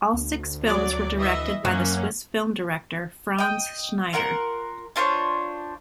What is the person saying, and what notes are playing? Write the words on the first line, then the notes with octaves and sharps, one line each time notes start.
All six films were directed by the Swiss film director Franz Schnyder.
D2
F#3 D5
E3 D#5 E5
F#2 A#3 C#4
D#5 G5
F4 A#4 F#5 A#5
D4 F4 C5 C#5